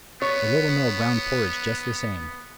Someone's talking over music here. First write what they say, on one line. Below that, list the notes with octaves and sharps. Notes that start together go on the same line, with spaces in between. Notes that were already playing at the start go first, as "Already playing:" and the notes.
The Little Mill ground porridge just the same.
B3 C#5